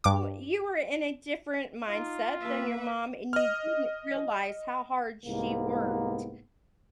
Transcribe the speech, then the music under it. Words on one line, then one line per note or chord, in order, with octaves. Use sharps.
know, you were in a different mindset than your mom, and you didn't realize how hard she worked
G2 D6
D#4 F4
A#3 B4 E5
D#5 F6
C2 G#2 A#3 B3